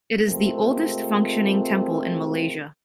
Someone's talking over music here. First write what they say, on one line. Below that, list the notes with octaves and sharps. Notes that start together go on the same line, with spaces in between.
It is the oldest functioning temple in Malaysia.
C3 G#3 A3 C4 F4 A#4